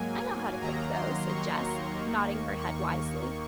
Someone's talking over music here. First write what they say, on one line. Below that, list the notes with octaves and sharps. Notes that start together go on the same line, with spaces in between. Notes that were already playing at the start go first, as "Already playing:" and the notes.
"I know how to cook those," said Jess, nodding her head wisely.
Already playing: G#2 F#3 A#3 G#5
D#2 D#3 F#3 A#3 A#5
C6
C#6
D#2 D#3 A#3
C#6